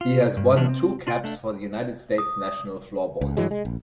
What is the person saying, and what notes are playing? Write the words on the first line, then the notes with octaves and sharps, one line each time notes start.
He has won two caps for the United States national floorball team.
F4
G2
E3 F#3 C#4 D4 F#4 G4
C4
D4 F4 D5 F5 G5 G#5
A3 D4
D#6
C#2
G2 E3 F#3 G#3
G#3
A#1